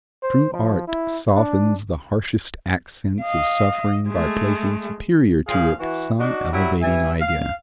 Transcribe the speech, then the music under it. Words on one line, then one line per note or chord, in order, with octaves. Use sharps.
True art softens the harshest accents of suffering by placing superior to it some elevating idea.
C5
F3
E4
D4
D#5 F5
G#3 A3
A#2 F3 G#4 C5 F5
E3 F#4
D4 D#4 F#4
F#3 G3 E4
E3 G3 E5 G#5
F5